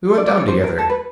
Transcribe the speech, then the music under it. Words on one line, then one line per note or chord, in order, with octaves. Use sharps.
We went down together.
D4 D5
D4 D5
C#4 C#5
C5
A#4
A4
B4